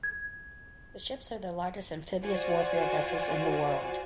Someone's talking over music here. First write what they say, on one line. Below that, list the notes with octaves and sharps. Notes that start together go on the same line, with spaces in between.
The ships are the largest amphibious warfare vessels in the world.
G#6
F4 F#4 C5 D5 G#5